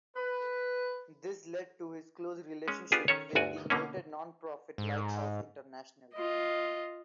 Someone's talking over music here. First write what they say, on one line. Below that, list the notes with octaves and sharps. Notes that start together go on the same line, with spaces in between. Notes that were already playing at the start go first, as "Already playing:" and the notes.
This led to his close relationship with the noted non-profit Lighthouse International.
B4
G#3 C#4
B3 D4 F4 G4 G#4
D#3 C#4 A4 C#5
G1 D2 F#4 D5 G#5
B2 D3 A#3 C#4
G#2
F4 D#5